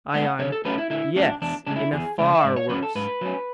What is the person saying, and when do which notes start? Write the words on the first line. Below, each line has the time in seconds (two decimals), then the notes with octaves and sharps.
ION: Yes, in a far worse.
0.14 G#3 B3 D4 F#5
0.39 D3 C#5
0.52 A4
0.65 F#3 A3 C#4 B4
0.78 E4
0.90 D3 E4
1.16 F#3 A3 C#4 D4
1.42 E2 D4
1.67 C#3 G#3 D4
1.76 E4
1.93 E2 G#4
2.18 C#3 G#3 D5
2.34 E5
2.44 G#2 D5
2.56 C#5
2.69 F#3 C#4 B4
2.82 A4
2.95 G#2 B4
3.21 F#3 C#4